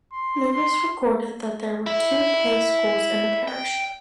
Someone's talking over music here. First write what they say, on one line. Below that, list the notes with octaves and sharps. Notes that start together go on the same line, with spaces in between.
Lewis recorded that there were two pay schools in the parish.
C6
C6
E4
G5